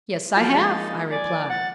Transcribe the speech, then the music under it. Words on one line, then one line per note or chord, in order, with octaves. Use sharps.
"Yes, I have," I replied.
F3 F#3 A4 F6
G#3 A#3 D#4 A6
D5 G#5
F#5 A6